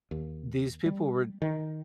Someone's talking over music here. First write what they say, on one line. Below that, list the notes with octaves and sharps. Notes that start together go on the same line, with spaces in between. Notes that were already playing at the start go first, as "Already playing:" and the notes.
these people were
D#2
G3
D#3